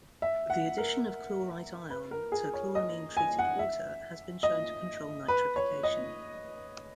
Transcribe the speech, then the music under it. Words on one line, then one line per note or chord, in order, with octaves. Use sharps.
The addition of chlorite ion to chloramine-treated water has been shown to control nitrification.
E5
F#5
A#4
B4
A#4
G#4
C#5
D#5
G#5
F#5
E5
D#5
B4
C#5
D#5